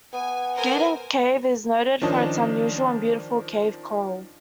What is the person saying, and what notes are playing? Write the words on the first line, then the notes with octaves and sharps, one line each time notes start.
Gaden Cave is noted for its unusual and beautiful cave coral.
B3 G#5
A#4 C5 G#5
D#3 F3 C#4 D4 D#5 A5